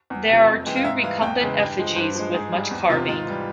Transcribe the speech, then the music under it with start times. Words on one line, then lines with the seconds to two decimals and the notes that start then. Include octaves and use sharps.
There are two recumbent effigies with much carving.
0.10 E2
0.29 C3 F3
0.47 F2
0.66 E3 G#3 G5
0.76 F5
0.84 G#2 E5
1.03 E3 G3 F5
1.22 E2 G5
1.40 C#3 E3 G#3
1.59 G2 G5
1.78 F3 G#3
1.96 G2 C5
2.15 F3 G#3
2.34 G#2 G#4
2.52 G3
2.71 E2
2.90 C3 F3 F4
3.08 G#2 F4
3.27 E3 G3